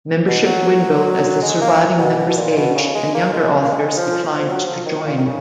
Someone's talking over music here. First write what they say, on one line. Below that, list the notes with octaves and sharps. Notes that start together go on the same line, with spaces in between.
Membership dwindled as the surviving members aged and younger authors declined to join.
B2
F#3
G#3
A#3
B2
B2
B2
A#2
A#2
B2
C#3
G#3
A#3
G#3
A#3
G#3
F3
F3
F3
F#3
F3
D#3
A#2
D#3
C#3